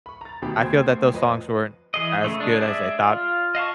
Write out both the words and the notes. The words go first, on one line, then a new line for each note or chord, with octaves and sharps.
I feel that those songs weren't as good as I thought
B5 C#6
A#5 A6
D2 B2 D#3 G4 B5
D2 C5 G5 G#6
F2 B4 D#5
E3 G#4 D#5
C#3 A3
G#3 D4
G#3 G#4 D5 E5
F4
D#5 F5 A5 C#6